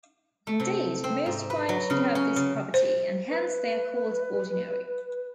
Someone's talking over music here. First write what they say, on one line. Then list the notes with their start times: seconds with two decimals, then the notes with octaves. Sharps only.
Indeed, most primes should have this property, and hence they are called ordinary.
0.47 A3
0.60 C3
1.04 C4
1.26 G#2
1.50 B4
1.69 F#3
1.90 C#3
2.15 C#4
2.36 C#3
2.74 C5
3.30 B4